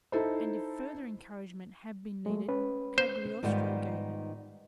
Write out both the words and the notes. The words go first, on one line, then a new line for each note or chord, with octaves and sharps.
And if further encouragement had been needed, Cagliostro gave it.
D#4 E4 A4 C5
G#3 A3
C#4 B4
C5
G#2 D#3 G3 B3 F4